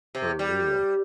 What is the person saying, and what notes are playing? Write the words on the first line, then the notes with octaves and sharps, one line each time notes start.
for real.
C3
G3